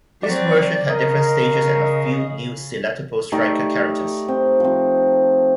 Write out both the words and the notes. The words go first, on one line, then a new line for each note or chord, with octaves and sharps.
This version had different stages and a few new selectable striker characters.
F#3 C4 D5
C#3 A#4 D#5
A3 D#4 G4 D5
C4
F3 C4